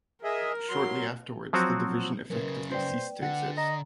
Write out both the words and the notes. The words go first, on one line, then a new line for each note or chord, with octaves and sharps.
Shortly afterwards the division effectively ceased to exist.
G#4 A#4 D#5 E5
F#3 C6
F3 F#3 C4 F#4
F#2 C#3 A#4 B4
B4 C5 D5 G5
D3 F#5
D#5 A#5